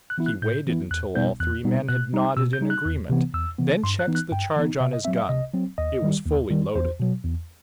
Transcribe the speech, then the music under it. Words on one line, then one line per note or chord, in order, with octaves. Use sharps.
He waited until all three men had nodded in agreement, then checked the charge on his gun--it was fully loaded.
F#6
E3 B3 E4
F#6
A2 G6
E3 B3 E4
E2 F#6
B2 G3 B3 D#4 G6
E2 F#6
B2 G3 B3 D#4
B2 F#6
G3 D#4
B2 E6
G6
G3 D#4
F#6
E2
C3 E3 B3
E2 E6
C3 E3 B3
G2 C6
F#6
E3 B3 D#4
F#6
G2 G5
E3 B3 D#4
C3 E5
D#5
F#3 C4 E5
E5
C3 D#5
F#3 C4
D#2 D#5
D#3 G3
D#2
D#3 G3
E2 C5
B2 F#3
E2